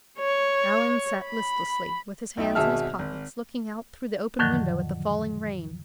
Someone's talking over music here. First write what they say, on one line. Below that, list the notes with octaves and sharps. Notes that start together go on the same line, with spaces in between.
Allan sat listlessly, with his hands in his pockets, looking out through the open window at the falling rain.
C#5
B5
B1 D#4 E5 G5
G#1 B2 G#4 E5 A5 F6
G#1
F2 A2 D3 D#3 F3 F#3